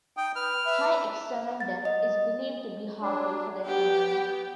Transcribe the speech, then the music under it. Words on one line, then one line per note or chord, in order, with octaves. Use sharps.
High external debt is believed to be harmful for the economy.
D#4 G5
B4 F6
B4 E5
A6
D#5
F#3 D4
B3 G4